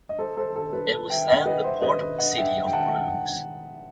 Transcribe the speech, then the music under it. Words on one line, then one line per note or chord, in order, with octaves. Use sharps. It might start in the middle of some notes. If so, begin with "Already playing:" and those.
It was then the port of the city of Bruges.
D#5
A4 C5
A4 C5
A4
B4
A4
E5 G5
D#5 F#5
B4 D#5
C5 E5
B4 D#5
D#5 F#5
E5 G5
G5
F#5 A5